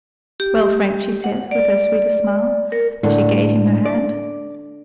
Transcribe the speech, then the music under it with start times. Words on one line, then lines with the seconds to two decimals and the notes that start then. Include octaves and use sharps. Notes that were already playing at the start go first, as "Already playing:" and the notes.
"Well, Frank?" she said, with her sweetest smile, as she gave him her hand.
0.40 G4
1.24 F#5
1.51 D5
2.72 A#4
3.03 A2 D3 A3
3.86 D5